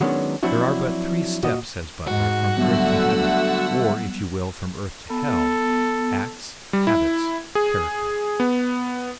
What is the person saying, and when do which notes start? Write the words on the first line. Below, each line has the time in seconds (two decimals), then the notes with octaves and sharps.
There are but three steps, says Butler, from earth to heaven, or, if you will, from earth to hell--acts, habits, character.
0.01 D#3 F#3 G#3 B3 C#4 D4
0.43 F3 F#3 C4 D4 E4 F#4
1.43 A#2 F#4 D#5
2.07 G#2 F#4
2.57 D3 F#3 G3 A3 B3 F#5 E6
5.10 B3 A4
6.73 G3
6.87 E4
7.55 G#4
8.40 B3